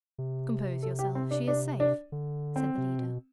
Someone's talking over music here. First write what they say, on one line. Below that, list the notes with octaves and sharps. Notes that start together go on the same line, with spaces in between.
"Compose yourself; she is safe," said the leader.
C3
A4
G4
C4
D4
D4
D4
D3
C4
C3
B2